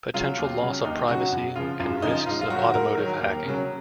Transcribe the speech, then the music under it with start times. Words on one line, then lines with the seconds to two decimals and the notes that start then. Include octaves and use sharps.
Potential loss of privacy and risks of automotive hacking.
0.14 C#3 F#3 F4
0.37 D#2
0.61 C#3 F#3
0.84 D#2 D#4
1.08 C#3 F#3 F#4
1.32 F#2
1.56 C#3 F3 F4
1.80 F#2 F4
2.02 C#3 F3 D#4
2.26 G#2 F4
2.41 F4
2.50 D#3 F#3 F#4
2.74 G#2 A#4
2.97 D#3 F#3
3.20 D#2
3.45 C#3 F#3